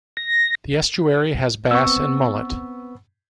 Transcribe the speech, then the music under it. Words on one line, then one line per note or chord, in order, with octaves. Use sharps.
The estuary has bass and mullet.
A#6
B3 C4 C#6 E6